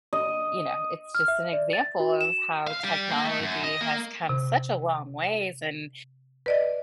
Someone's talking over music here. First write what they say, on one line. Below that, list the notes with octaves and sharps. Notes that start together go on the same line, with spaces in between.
you know, it's just an example of how technology has come such a long ways and
D#5
F6
E5
D5
A6
F#4
E7
F5
G3
A#3
A3
F#2
D#5
A#3
C3
B4 D5 D#5